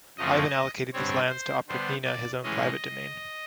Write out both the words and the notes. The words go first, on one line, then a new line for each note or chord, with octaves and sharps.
Ivan allocated these lands to Oprichnina, his own private domain.
F#2 C#3 F3 A3 C4 D#5
G2 D3 G3 C4 C#5
C5
D3 G3 B3 C5
D5
A2 E3 G#3 C#4 D#5